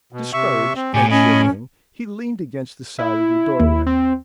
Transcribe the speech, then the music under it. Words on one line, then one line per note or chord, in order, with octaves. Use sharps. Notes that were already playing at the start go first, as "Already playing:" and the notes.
Discouraged and shivering, he leaned against the side of the doorway.
B2
C3 E5 C#6
C4
A2 G4 G#5
C#4 D#5 G#5 B5
E4
D#2
C4